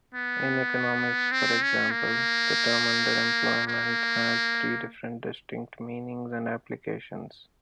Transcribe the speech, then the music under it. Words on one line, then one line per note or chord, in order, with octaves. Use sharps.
In economics, for example, the term underemployment has three different distinct meanings and applications.
B3
C4
C#4
A#3
A#3